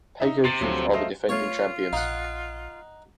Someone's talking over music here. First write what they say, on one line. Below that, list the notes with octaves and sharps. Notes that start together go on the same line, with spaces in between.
Pago Youth are the defending champions.
D#4 E5
C3 A6 C7
D2 F3 F#3
A3 A#4 C5 D#5 F5
A3 B3 F4 C#5
A#1 D#4 F5 F#5